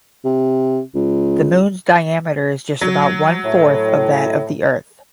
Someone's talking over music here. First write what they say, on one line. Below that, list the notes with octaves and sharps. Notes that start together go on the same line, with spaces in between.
The moon's diameter is just about one-fourth that of the earth.
C3
C#2
F#3
A2